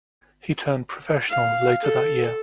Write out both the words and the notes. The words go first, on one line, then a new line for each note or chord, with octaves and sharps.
He turned professional later that year.
F5
A4